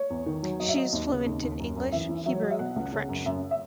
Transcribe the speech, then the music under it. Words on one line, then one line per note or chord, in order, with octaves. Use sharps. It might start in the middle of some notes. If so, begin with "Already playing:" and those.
She is fluent in English, Hebrew and French.
Already playing: C#5
E2
D#3
F#3
F#3 D#5
E5
F#3 D#5
D#2
C#3
D#2
D#2
F#2
F#2
E3 E5
E3
F#3 E5
C#5
F#3 D#5
E5
B2 F#5
C#2
C#3
F#2
F#2 E5
E5